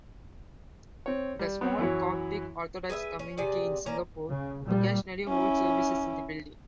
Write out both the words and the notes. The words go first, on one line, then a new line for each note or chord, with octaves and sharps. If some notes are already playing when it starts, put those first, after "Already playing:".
The small Coptic Orthodox community in Singapore occasionally hold services in the building.
C4 C#5
G3
B3 C4 C5 C#5
F#2 E3 F#3 E4 C#5
G#4 B4 D#5 E5
C#4
C3 G#4 D5
A#3 C#4 D4 A#5
C#3
A#2 G3
C#4 E4